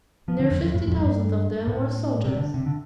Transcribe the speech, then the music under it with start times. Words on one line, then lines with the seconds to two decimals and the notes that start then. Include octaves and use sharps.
Near fifty thousand of them were soldiers.
0.28 F3
0.40 D3
0.51 F2
0.63 F2
0.74 A2
0.88 F2
0.97 G2
1.67 A2
2.25 C3
2.36 D3
2.54 C3
2.66 D3